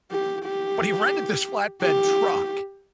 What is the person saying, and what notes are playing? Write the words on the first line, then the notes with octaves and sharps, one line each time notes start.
but he rented this flatbed truck
G4
G4
G4